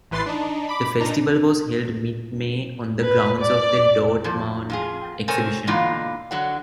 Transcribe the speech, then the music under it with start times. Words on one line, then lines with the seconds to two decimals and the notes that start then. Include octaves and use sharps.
The Festival was held mid-May on the grounds of the Dortmund exhibition.
0.11 A1 E3 B4 C6 A6 C7
0.26 D4 D#4
0.69 B5 D6
1.00 A#2 D4 D#4 A#5
3.02 B4
3.40 D5
4.24 A#2 F3
4.70 F2 F4 G#4
5.28 C3 C4 A4 A#4 C#5 G#5
5.67 B2 D3 E3 A#3 D#4 F4
6.31 D3 F#3 F#5